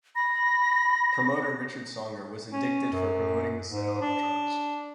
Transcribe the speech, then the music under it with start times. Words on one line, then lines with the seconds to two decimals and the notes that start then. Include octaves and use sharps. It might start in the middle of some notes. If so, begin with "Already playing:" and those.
Promoter Richard Songer was indicted for promoting the sale of drugs.
0.16 B5 A#6
2.52 C#4
2.93 F#2
3.70 G#2
4.01 D4